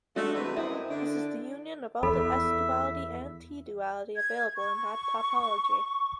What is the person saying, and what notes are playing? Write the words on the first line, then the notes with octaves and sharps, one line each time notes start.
This is the union of all the S-duality and T-duality available in that topology.
G#3 A3 D4 F#4
C3 E3 B4
F#2 C4 E4 D#5
D3 D4
E2 A4 E5 B5
G#6
C#6